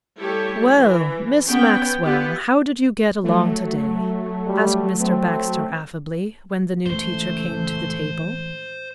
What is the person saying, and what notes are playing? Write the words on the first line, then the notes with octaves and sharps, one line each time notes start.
"Well, Miss Maxwell, how did you get along today?" asked Mr. Baxter affably, when the new teacher came to the table.
G3 A3 E4 G4 A4 C#5
E3
B3 C#4 G5
B3 F4 G4 B4
F#3 A3
G3
C4
C#2 A2 E3 A3 C5